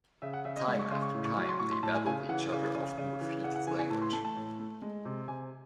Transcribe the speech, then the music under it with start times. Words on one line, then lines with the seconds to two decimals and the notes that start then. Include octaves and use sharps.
Time after time, they battled each other, often with heated language.
0.22 C#3 E5
0.33 F#5
0.45 C#3 E5
0.56 D#5
0.68 G#3 E5
0.79 C#6
0.91 C#3 C6
1.02 C#6
1.14 A2
1.25 C#6
1.37 F#3 C#6
1.49 C6
1.59 A2 C#6
1.71 C6
1.83 A2 A5
1.95 G#5
2.06 C#3 G#5
2.29 E3 F#5
2.52 C#3
2.75 C#3
2.98 C#3
3.21 E3
3.44 C#3 F#5
3.56 F#5
3.67 E3 G#5
3.79 G#5
3.90 A2 A5
4.02 C6
4.13 A3 A5
4.25 A5
4.36 A2
4.59 A3
4.82 G#3
5.05 C3
5.28 C3 G#5